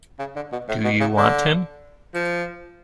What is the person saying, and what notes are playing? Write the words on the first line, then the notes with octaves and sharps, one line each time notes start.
Do you want him?
C#3
D3
B2
A2
B2
C#3
D3
F3